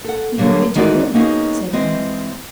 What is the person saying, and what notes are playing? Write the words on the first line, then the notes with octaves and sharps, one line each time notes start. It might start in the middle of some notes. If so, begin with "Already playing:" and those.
'Then where did you live?' said Una.
A4 F#5
D3 F#3 G3 A#3
D#3 E3 G#3 D#4 F#4 D5
A#3 B3 C#4 D#4 F#4 G#4
E3 G#3 C4 D#5